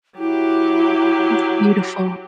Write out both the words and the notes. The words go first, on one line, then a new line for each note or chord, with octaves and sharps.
It's beautiful.
F#3 E4 G4